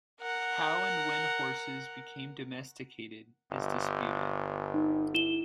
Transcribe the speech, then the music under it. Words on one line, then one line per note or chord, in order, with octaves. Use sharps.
How and when horses became domesticated is disputed.
A#4 F#5
G1
D#4
E4 E7 G7